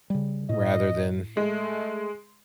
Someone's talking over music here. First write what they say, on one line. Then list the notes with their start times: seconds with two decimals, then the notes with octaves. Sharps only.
rather than
0.10 C#3 G3
0.49 A2 D#5
1.37 G#3 A3